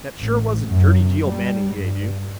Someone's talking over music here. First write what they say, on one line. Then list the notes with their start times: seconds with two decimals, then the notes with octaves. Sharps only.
"That sure was a dirty deal Manning gave you."
0.20 A1
0.67 F#2
1.25 G3
1.76 G2